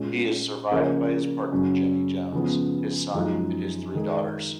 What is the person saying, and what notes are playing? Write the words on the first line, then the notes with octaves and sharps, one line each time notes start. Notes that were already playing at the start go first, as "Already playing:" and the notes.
He is survived by his partner Jennie Jones, his son and his three daughters.
Already playing: A#2 G#3 C#4
C#3 F3 A#3 C#4 G#4
F#2 C#3 F#3 C#4 F#4
C#3 F3 B3
F#2 F3 G#3 D#4
D#3 G#3 D#4 G#4